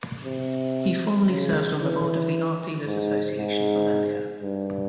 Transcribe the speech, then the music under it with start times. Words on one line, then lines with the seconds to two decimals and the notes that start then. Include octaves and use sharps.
He formerly served on the board of the Art Dealers Association of America.
0.24 C3
1.29 C#3
1.81 E3
2.86 G#2
3.37 G#2
4.42 G2